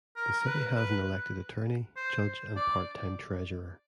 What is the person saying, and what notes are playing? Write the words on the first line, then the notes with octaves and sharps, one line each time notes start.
The city has an elected attorney, judge and part-time treasurer.
A#4
A#4
B4
B4
C5
D5